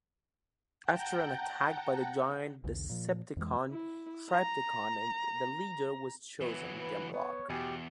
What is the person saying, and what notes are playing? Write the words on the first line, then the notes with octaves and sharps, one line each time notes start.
After an attack by the giant Decepticon Trypticon the leader was chosen - Grimlock.
F#5 G5 A5 A#5 G6
B1 E2 D3
A#2 F3
F2 E3 G#3
E4
A#5
E3 F#3 B3
B4
B3 C#5
E2 B2 G4 G#5